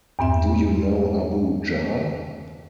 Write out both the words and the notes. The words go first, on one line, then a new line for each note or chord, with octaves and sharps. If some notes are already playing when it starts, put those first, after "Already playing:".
Do you know Abu Jahl?
E2 G2 C4 E5